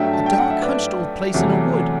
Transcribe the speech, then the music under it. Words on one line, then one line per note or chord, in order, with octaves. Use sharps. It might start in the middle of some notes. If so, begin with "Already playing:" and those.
A dark hunched old place in a wood.
Already playing: G2 F#3 A3 E5 G5
A5
G5
F#5
E5
B4 D5
E2 C3 F#3 A3